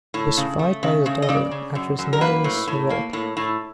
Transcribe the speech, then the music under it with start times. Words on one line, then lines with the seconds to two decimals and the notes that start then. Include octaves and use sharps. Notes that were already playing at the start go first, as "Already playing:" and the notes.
He was survived by his daughter, actress Nathalie Serrault.
0.14 A2
0.37 C#3
0.59 A3
0.83 C#3
1.06 C#3
1.22 D#5
1.29 C#3 D5
1.51 C#3
1.75 F#2
1.99 F#2
2.13 A#4
2.21 A#3 B4
2.44 A2
2.68 A2
2.90 A#3
3.13 A2
3.37 A2